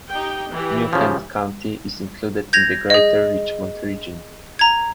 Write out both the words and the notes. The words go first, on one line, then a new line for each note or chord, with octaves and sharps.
New Kent County is included in the Greater Richmond Region.
D#4 G4 G5
E3 G4
C#3 F3
G6 G#6 A#6 F7
G#4 D#5
A#5 G#6